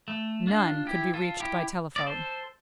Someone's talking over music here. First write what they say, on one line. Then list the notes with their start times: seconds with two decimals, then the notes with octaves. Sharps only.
None could be reached by telephone.
0.08 A3
0.47 D4 F4
0.87 E4 G4
1.14 F4 A4
1.40 E4 G4
1.96 D5
2.06 A4 C5